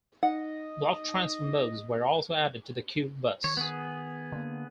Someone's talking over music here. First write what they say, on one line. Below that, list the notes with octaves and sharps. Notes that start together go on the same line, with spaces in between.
Block transfer modes were also added to the Q-bus.
D#4 D#5 F#5
D#3 C#5
B3 G#4
D3 A#3